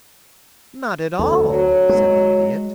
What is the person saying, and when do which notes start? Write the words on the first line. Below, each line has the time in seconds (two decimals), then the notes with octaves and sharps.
"Not at all," said the Idiot.
1.19 D2 A4
1.50 F#3
1.89 G#3